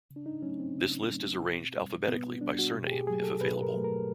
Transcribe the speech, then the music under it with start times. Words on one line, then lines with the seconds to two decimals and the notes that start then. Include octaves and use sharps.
This list is arranged alphabetically by surname if available.
0.11 C#3
0.16 D4
0.26 D#4
0.42 F#3 A3 C#4
0.60 C4
0.76 C#3
1.09 F#3 A3
1.43 B2
1.76 G3
2.08 B2 B3
2.41 G3 D4
2.59 F#4
2.75 B2
2.87 G4
2.92 G#4
3.07 F#3 A3 G#4
3.24 A4
3.41 B2 B4
3.62 A#4
3.74 F#3 A3
3.84 A#4